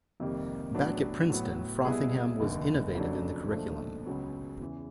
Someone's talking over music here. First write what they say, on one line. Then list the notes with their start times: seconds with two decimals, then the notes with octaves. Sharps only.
Back at Princeton, Frothingham was innovative in the curriculum.
0.20 F2 C3 D#3 G3 A#3
0.75 A2 F#3 B3 D4
1.30 A2 F#3 B3
1.85 B2 G3 B3 E4 G#4
2.40 F1 D#2 D3
2.95 F2 C#3 F#3 A3 D4
3.51 B1 A#2 F3 A3 D4
4.05 C#2 C#3 F#3 B3
4.60 E2 C#3 E3